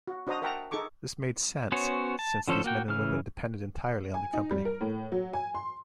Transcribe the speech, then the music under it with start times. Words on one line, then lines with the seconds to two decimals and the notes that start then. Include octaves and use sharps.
This made sense since these men and women depended entirely on the company.
0.08 F#4
0.27 D4 F#4 C5 D#5 A#5 D#6
0.42 A#4 E5 F#5 G5 A5 A#5
0.71 D#4 G#4 A4 C#6 D6
1.72 B3 C#4 F#4 C5 C#5
2.19 A5
2.48 D3 F3 C#4 A4 C5
2.64 A#3 F#4 G5
2.88 C#3 E3 F6
4.14 G#5
4.33 D#4
4.51 G3
4.65 A#4
4.81 A2
5.12 F#3
5.33 G#5
5.55 C6